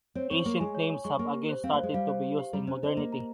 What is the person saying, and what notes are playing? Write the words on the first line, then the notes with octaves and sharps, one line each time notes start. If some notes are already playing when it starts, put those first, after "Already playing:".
Ancient names have again started to be used in modernity.
C4 C#5
C4 C#6
A#3 C#6
G#3 G#5
C#5
G#5
G#3 C#6
A#3 C#6
G4
C5
C4 F5
A#3
G#3 C5
G3 F5
C5
G4
G4
G3 A#5
C#4 C5
C4 D#5
A#3 A#5
A#5